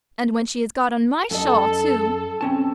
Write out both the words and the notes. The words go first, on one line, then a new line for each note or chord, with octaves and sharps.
And when she has got on my shawl, too!
F#2 A4 D#5
C4 C#4 A5